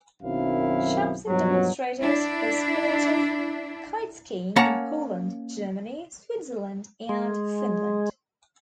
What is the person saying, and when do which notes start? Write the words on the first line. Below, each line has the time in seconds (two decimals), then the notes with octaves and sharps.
Shapson demonstrated the sport of 'kiteskiing' in Poland, Germany, Switzerland and Finland.
0.22 B1 F#2 D#3 C4 E4 F5
1.27 G2 B2 F3 F#3
2.02 D4 E4
4.56 A#3 C#4 F#5 A5 A#5
7.09 G#3